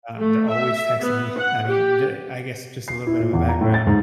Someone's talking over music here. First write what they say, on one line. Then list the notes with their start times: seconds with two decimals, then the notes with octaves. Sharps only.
um, they're always texting me I mean, the I guess, just a little bit of a background.
0.18 A3
0.49 E5
1.00 B3
1.38 F#5
1.68 G4
2.88 C7
3.07 E4
3.20 A#2
3.33 E2
3.49 A#5
3.61 A2
3.74 A6
3.87 G#2